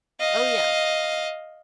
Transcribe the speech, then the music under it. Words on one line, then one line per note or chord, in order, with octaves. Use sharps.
Oh, yeah.
D#5 F5